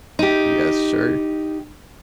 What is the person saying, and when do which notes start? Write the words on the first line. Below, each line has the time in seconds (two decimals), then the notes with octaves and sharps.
"Yes, sir."
0.19 D#4 G4